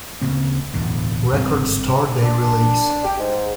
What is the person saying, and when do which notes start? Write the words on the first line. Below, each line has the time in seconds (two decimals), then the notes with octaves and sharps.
Record Store Day release.
0.22 D2 C#3 A#3 C4
0.74 D1 E2 B2 D3
1.33 G1 G#2 G3 C4
2.20 D4
3.04 G4
3.19 G#2